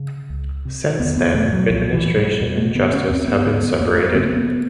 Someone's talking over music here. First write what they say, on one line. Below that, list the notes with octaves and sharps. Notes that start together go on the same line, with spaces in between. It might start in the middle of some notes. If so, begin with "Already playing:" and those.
Since then, administration and justice have been separated.
Already playing: C#3
C#2
C3
E2 B3
B3
B2 A3
F#3
C2 F3
E3
A#2
G3
F2
A3
D3 B3
C#4
D#2 C4
B3
D3
B3
F2 A#3
A#3
C#3 C4
A#3
B3